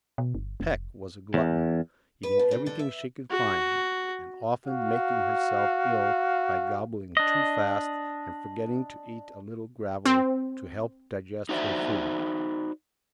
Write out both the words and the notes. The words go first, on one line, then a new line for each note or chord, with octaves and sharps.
Peck was a glutton, eating everything she could find, and often making herself ill by gobbling too fast, and forgetting to eat a little gravel to help digest her food.
B2
G1
F1
E2
B4
B2
C#3
D3
E5
F#4
F#4 F5
D4 D#5
C4
D#4 F#4 C5 D5 E5